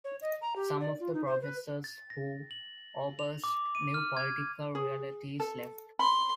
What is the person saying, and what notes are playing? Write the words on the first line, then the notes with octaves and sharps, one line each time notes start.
Some of the professors who opposed new political realities left.
C#5
D#5
A#5
G4
D5
F4
D#4
C5
B4
A6
A#6
F#7
F7
D6
D#7
F6
G#6
G#4
A4
B5 C6